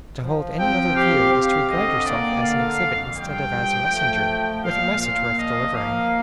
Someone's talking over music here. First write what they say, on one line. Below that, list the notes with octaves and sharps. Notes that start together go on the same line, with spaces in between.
To hold any other view is to regard yourself as an exhibit instead of as a messenger with a message worth delivering.
F3
C4 G5
G4 F5
C4 F5
D3 D#5
A#3 D5
D3 F5
F2
G2 G5
F3
A3
F3
A#2 F5
A#2 F5
F3 D#5
A#3 F5